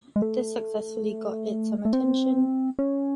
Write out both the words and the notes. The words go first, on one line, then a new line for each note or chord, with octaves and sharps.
This successfully got it some attention.
G#3
A3
A3
C4
C#4